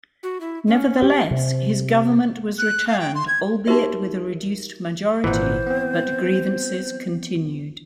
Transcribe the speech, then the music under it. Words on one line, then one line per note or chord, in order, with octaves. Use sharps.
Nevertheless, his government was returned, albeit with a reduced majority but grievances continued.
F#4
E4
C#4
G4
C3
F#6
F5
G5
C6
G#6
D#4 F#4 G4 A#4 E5
G#1 A#2 E3 C5 F#5
B3 C4